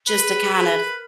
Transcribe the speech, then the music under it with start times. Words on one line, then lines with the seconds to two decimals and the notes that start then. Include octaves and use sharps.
just to kind of
0.08 B4
0.15 A#4
0.23 G#4
0.54 G#4 B4
0.84 A#4